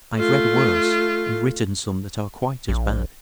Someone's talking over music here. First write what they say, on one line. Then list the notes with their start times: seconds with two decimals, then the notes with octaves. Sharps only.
I've read worse and written some that are quite as bad.
0.15 A3 F4
2.69 A#1